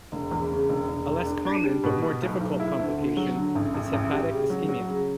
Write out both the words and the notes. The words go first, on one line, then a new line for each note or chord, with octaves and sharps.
A less common but more difficult complication is hepatic ischemia.
E1
E2
C#3
E1
E1
E1
D4
D4
G3
B2
B2
B1
B1
E4
D2
D3
F#3
D3
A1
A1
A1
G3
C#3
F#3
F#3
C#3